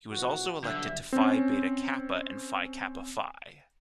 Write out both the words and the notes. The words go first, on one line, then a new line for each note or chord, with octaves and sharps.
He was also elected to Phi Beta Kappa and Phi Kappa Phi.
A#1 E3 F#4
B1 D3 G3 E5
C4 C#4